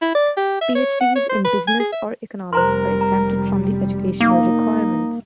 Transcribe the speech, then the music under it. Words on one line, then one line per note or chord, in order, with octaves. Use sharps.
PhDs in business or economics are exempted from the educational requirements.
E4
D5
G4
E5
C#5
F#5
C#5
C5
B4
G#5
G#4
E5
F1 G3 A#4 C5 A#5 C6
A#5
A#3 D#4